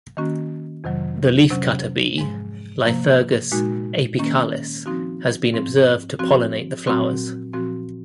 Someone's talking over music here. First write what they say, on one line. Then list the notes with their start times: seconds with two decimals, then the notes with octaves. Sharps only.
The leafcutter bee "Lithurgus apicalis" has been observed to pollinate the flowers.
0.17 D#3 A#3 C#4 F#4
0.84 F2 C3 D#3 F#3
1.50 C3 F#3 C#4
2.18 G#2 F3 G#3
2.85 C3 F3 A#3
3.52 A#2 G#3 D#4 F#4
4.19 D#3 A#3 C#4
4.86 F3 C4 D#4 F#4
5.52 G#2 F3 C4
6.19 F3 C4 F#4
6.87 A#2 F#3 C4 F#4
7.53 A#2 F3 C4 F#4